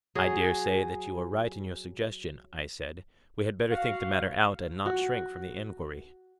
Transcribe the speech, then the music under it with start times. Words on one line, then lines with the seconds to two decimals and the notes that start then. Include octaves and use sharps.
I dare say that you are right in your suggestion, I said; we had better think the matter out, and not shrink from the enquiry.
0.15 F#3 G#4
3.69 F#4 F5
4.86 F#4